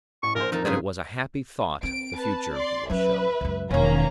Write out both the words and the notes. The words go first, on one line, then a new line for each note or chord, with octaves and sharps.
That it was a happy thought the future will show.
A1 C#6
A#1 A#4 C5
F2 D#4 A#4 A5
G#2 C#3 F#3 B3 G#4
C4 D7
B4 A5
D5 C6
F#3 C#4 B4 E5
C#2 F#2
E1 D#3 A#3 C#4 A#5